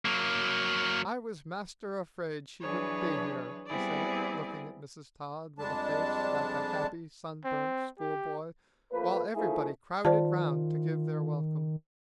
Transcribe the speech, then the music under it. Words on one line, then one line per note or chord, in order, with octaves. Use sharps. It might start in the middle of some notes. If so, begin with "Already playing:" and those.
"I was master afraid she wouldn't be here," he said, looking at Mrs. Todd with a face like a happy sunburnt schoolboy, while everybody crowded round to give their welcome.
F#3 A#3
E3 F#3 D4 G#4 B4 C#5
G3 B3 C4 E4 G#4 D5
F2 G3 G#3 D4 A5
C4
G4
F3 A3 A#3 B4
F3 A3 A#3 D#4 E4 G#4
D#3 F4 C5 D5 A5